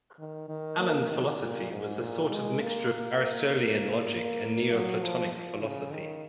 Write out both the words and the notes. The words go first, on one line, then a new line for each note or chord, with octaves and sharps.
Alan's philosophy was a sort of mixture of Aristotelian logic and Neoplatonic philosophy.
D#3
D#3
A#3
D#3
A#2
G#2
A#2
G#3
A#3
F#3
F3
F3
C#3
D#3